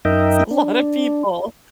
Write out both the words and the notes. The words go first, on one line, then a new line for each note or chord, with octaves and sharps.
That's a lotta people.
F#2 D#4 A#4 D#5 E5 G5
D4